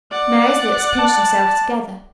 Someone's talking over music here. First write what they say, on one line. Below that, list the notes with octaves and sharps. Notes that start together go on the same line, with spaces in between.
Mary's lips pinched themselves together.
D5 F#5
A5